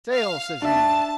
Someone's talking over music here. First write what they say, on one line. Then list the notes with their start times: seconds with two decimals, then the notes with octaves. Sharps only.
"Sail!" says he.
0.12 F5
0.62 D4 E5 A5